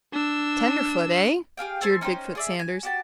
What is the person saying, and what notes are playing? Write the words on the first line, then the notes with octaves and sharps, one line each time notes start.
"Tenderfoot, eh?" jeered Big-foot Sanders.
D4 E6
G4 G#4 F5 G5
A4 C5 G#5 C6
C#4 D#4 G4 C5
G#4 D5 E5
G#5
F#4 G4 A5